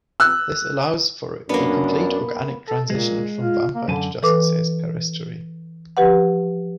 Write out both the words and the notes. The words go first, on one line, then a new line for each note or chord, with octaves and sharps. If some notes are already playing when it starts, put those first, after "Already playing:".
This allows for a "complete organic transition" from vampire to dust, says Peristere.
E6 F#6
F#2 A#3 B3 D4
A4
A#2 G#3
F4
A#3
F#2 D3 G#5 A5
E3 A4 B4 D6
F3 G4 B4 F#5